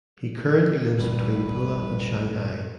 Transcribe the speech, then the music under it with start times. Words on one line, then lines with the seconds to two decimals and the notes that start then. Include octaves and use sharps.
He currently lives between Pula and Shanghai.
0.99 D#1 A1 G2 B4